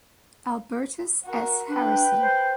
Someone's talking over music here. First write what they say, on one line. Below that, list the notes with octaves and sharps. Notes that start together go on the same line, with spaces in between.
Albertis S. Harrison.
F#4 A#4
D4 B4 G5
C5